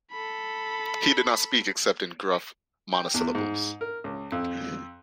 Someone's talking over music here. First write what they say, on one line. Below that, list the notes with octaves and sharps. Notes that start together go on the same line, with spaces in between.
He did not speak except in gruff monosyllables.
A4 B5
G5
E2
G#2
A#4
C#2
F2